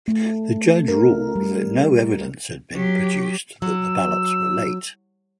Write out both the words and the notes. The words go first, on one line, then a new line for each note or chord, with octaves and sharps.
The judge ruled that no evidence had been produced that the ballots were late.
A3
A#4
G3
F#3 G4
F#3 E6